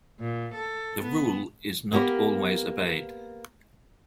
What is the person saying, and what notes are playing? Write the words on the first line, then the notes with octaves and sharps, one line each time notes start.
The rule is not always obeyed.
A#2
A4
B3
A#3 B3 G4 A#4